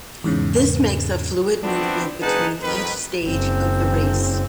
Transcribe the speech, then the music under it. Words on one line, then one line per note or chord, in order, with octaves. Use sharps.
This makes a fluid movement between each stage of the race.
E2 G#2 C#3
F3 B3 C4 D4 E4 F#4
F#1 D#4 G#4 B4 F#5 A5
F2 D#3 B4
F#1 C4